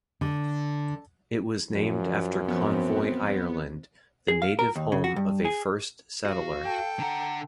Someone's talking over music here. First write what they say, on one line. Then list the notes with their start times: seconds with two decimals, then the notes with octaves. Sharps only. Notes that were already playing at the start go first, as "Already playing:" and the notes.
It was named after Convoy, Ireland, the native home of a first settler.
0.21 D3
1.71 F#2 F3
2.48 B3 C4
4.28 G#4
4.42 F5
4.59 A#4
4.76 D#2
4.92 C#3
5.04 F#4
5.16 G2
5.45 G#4
6.25 F#4 F5
6.64 A4 G5
7.00 D3 F#5 A#5